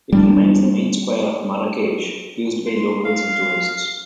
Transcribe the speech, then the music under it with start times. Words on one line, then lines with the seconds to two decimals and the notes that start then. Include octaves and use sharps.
It remains the main square of Marrakesh, used by locals and tourists.
0.12 G3 C4 D4
2.66 C6
3.04 F5